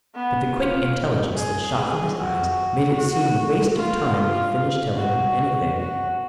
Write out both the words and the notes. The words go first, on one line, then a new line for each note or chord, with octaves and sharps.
But the quick intelligence that shot from his eyes made it seem waste of time to finish telling him anything.
B3
F4
G#4
G#4
F#4
F#4
F4
F#4
F#4